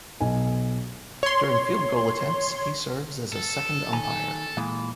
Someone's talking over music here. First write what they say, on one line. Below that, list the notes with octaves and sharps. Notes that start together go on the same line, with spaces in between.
During field goal attempts he serves as a second umpire.
B1 G#5
C#5 C6
A4
D#3 G#5
A#2 E3 G#3